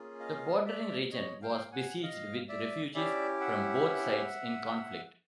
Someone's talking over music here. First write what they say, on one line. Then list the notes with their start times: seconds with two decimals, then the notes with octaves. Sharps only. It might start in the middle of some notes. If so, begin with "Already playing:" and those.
The bordering region was besieged with refugees from both sides in conflict.
Already playing: A#3 C#4 F4 G#4
0.20 D#5 F5
0.65 D5 E5
1.12 C#5 D#5
1.42 F5 G5
1.72 F#5 G#5
2.03 D#5 F5
2.49 D5 E5
2.95 C#4 E4 G4 D5 E5
3.40 E5 F#5